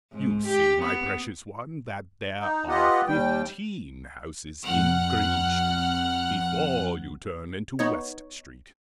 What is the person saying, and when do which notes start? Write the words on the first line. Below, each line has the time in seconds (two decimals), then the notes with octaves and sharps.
"You see, my precious one, that there are fifteen houses in Green Street, before you turn into West Street."
0.12 G#2
0.47 G4
0.83 B3
2.40 D#4
2.68 B3 F4 G4 D#5 F#5
3.07 D#2 G3 G5
4.63 F2 F#5 F6 F#6
7.79 B3 D#4 C#5